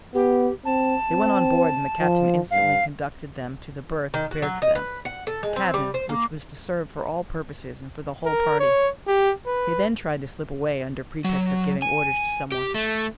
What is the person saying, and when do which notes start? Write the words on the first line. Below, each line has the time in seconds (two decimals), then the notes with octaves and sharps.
They went on board and the captain instantly conducted them to the berth prepared for them--a cabin which was to serve for all purposes and for the whole party; he then tried to slip away under pretext of giving orders to some one.
0.14 B3 G4
0.65 C4 A5
1.11 C4
2.00 F3
2.51 G2 F5
4.14 D#3
4.31 F#4
4.42 F#3
4.62 D#5
4.75 B4
5.05 F#5
5.27 A4
5.43 G#3
5.56 C4
5.74 G3
5.94 C5
6.09 A#3
8.25 A#4
8.60 C#5
9.08 G4
9.46 B4
11.24 F#3
11.82 G#5
12.52 G4
12.74 A3